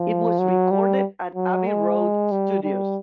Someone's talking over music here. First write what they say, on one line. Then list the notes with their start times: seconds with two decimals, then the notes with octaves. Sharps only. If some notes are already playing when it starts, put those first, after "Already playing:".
It was recorded at Abbey Road Studios.
Already playing: F3
0.39 F#3
0.71 G3
1.35 F#3
1.67 G#3
2.32 G3
2.63 G3